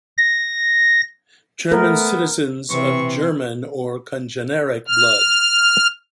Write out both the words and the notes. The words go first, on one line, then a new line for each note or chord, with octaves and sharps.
German citizens "of German or congeneric blood".
A#6
A3 B3 A#4
C3 E3 C#6
F6